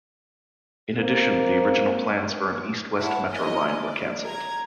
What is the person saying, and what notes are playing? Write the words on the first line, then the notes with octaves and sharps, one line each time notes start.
In addition, the original plans for an east-west metro line were cancelled.
A#3 C4
E4 C#5 F#5 A5
E4 A#4 C#5 D#5 G#5
D5
A#5 G#6